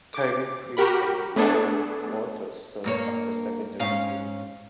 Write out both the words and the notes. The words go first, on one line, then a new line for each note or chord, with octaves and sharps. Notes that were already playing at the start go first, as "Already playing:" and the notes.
Kevin Quinn and Ryan Walter served as the secondary team.
D6
F#4 G4 A#4 B5
A3 B3 D4 G#4 A4
G2 A#3 C#5
G#2 C#4 F5